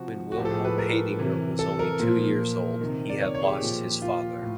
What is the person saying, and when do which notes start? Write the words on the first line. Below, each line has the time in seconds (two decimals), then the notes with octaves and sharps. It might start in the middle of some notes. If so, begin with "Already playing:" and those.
When Wilhelm Haidinger was only two years old, he had lost his father.
Already playing: C3 F3 F#4
0.32 F#4
0.37 A2 F3 G4
0.45 A4
0.51 G#4
0.65 B4
0.78 A#4
1.19 C3 E3
1.59 A4
1.79 A#4
2.00 A#2 F3
2.81 C3 D#3
3.09 D5
3.21 C#5
3.35 C#5
3.42 G#4
3.47 G4
3.61 A#2 F3
4.02 F4
4.42 A2